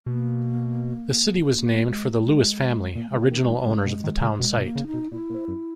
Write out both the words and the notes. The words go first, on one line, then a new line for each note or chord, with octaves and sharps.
The city was named for the Lewis family, original owners of the town site.
B2 A#3
A#3
G#3
A#3
G#3
A#2 A#3
C#3 G#3
A#3
D#3
G#3
D#3
G#3
C#3
B2
D#3
C#3
B2 G#3
B2
A#3
C#3
D#4
B2
A#2 E4
A#2
F#2